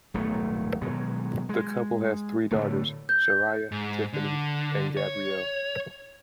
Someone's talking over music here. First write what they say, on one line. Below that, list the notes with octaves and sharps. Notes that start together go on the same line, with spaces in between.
The couple has three daughters: Sharayah, Tiffany, and Gabrielle.
D#1 B1 G#2 A3
B2 D#3 F#3 G#3
G#3
A2 D3 A3
G6
G#2
D3
C#5